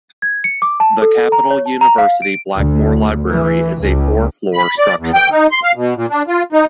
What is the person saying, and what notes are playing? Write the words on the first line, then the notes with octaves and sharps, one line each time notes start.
The Capital University Blackmore Library is a four-floor structure.
G#6
C#7
D6
A5
A4
A#5
C#5
A5
A#5
F5
D7
D2
E3
C#2
B5
D5
E2
G5
D#4
C6
F5
B2
A#2
D4
F4
D#4